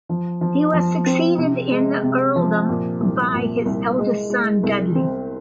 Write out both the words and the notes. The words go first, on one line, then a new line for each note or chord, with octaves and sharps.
He was succeeded in the earldom by his eldest son, Dudley.
F3
F3
F3
C4
C3
G#3
C3
F3
A#2
C2
A#2
C2
G#3
G#3
C2
C4